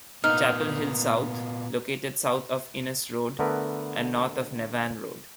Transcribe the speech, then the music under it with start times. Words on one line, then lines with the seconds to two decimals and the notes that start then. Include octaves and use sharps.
Chapel Hill South: Located south of Innes Road, and north of Navan Road.
0.24 A#2 A#3 B3 D#4 F6
3.39 D3 A3 B3 A#4 B4